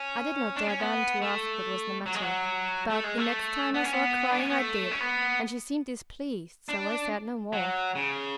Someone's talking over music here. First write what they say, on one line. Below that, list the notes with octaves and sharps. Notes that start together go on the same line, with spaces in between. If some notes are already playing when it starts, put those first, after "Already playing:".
I did not dare then to ask what was the matter; but, the next time I saw her crying, I did, and she seemed displeased;--so I said no more.
Already playing: C#4
D4
C#4
B3
A3
F#3
G#3
F#3
A3
G#3
A3
B3
C#4
B3
D4
C#4
B3
A3
C#4
B3
D4
F#3
C#3